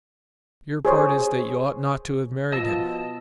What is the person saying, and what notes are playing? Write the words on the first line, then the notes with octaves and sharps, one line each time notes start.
Your part is that you ought not to have married him.
G#4 C5 C#5
B2 F3 F4 D#5 A5 E6